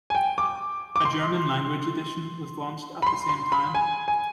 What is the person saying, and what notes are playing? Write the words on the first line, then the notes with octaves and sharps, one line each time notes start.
A German language edition was launched at the same time.
G#5
G5
D6
D6
C6
B5
C6
C6
B5
G#5
G#5